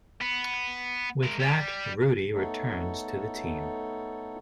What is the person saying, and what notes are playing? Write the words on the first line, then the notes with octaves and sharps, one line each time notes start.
With that, Rudy returns to the team.
B3
G#3 A#4
G3
A3 B3 D#4 A4 C#5